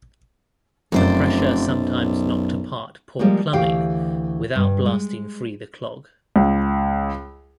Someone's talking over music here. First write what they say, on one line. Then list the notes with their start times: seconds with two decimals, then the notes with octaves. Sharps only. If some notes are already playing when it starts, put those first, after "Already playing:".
The pressure sometimes knocked apart poor plumbing without blasting free the clog.
0.92 F1 F#2 C5 D5
1.67 B1
3.19 F3 G3 G#3 A#3
3.53 D2 E3 G4 F5 G5
4.55 G2
4.86 G#3
6.36 C#2